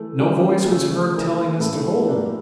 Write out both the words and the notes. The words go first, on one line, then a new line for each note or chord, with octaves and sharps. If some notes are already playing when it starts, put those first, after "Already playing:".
No voice was heard telling us to hold!
Already playing: E3 A3 A4
G3 A#3 C#4 G4
C#3 A3 A4
E3 A#3 D4
A2 A3 A4
E3 A#3 D4